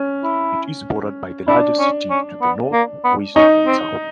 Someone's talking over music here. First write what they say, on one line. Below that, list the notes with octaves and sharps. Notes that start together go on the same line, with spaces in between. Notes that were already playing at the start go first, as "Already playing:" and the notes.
It is bordered by the larger city to the north, west, and south.
Already playing: C#4
E4
D4 E4
C#4
C#4
B3
A#3
B3
C#4 D#4
C4